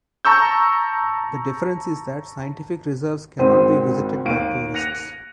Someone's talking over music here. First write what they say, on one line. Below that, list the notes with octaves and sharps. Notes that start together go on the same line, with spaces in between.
The difference is that scientific reserves can not be visited by tourists.
A5 A#5 C#6 E6 G6
G#1 C#2 G#2 C4 C5 D#7
D#2 F5 D7 D#7
F#6 A#6 C#7 D#7 F7